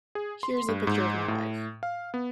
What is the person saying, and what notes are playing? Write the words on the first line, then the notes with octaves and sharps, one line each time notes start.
Here's the picture of my wife.
G#4
C6
G2
G#2
A2
F5
B3